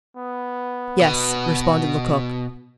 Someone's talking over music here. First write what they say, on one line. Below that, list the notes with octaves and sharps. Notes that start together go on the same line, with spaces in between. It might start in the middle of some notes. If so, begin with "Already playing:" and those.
"Yes," responded Lecoq.
B3
B2